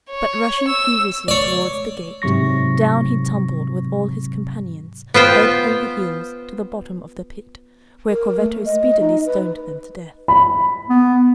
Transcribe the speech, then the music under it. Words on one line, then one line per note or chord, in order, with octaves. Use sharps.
But rushing furiously towards the gate, down he tumbled with all his companions, head over heels to the bottom of the pit, where Corvetto speedily stoned them to death.
C#5
E6
C#5 D5
G#2 C3 F#3 C#6 A#6
B3 F4 C5 G5
A#4
A3
D#5
D#4
B4
B5
B3